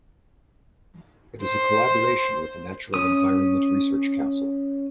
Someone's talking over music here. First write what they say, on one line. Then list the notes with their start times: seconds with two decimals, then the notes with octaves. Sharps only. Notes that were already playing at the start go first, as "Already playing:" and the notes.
It is a collaboration with the Natural Environment Research Council.
1.42 C5
2.94 C#4 D#6